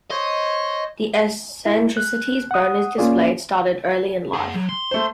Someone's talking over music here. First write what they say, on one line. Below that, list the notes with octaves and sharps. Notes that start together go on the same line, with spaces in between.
The eccentricities Berners displayed started early in life.
C5 C#5 D#5
E4
F#6
F#5 D#6
A#3 C#4 F4 G#4 D5
G#4 F#5
F#3
C6
A3 C5